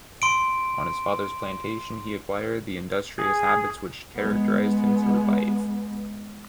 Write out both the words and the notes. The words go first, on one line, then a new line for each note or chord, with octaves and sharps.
On his father's plantation he acquired the industrious habits which characterized him through life.
C6 D7
G#4
G#3 B3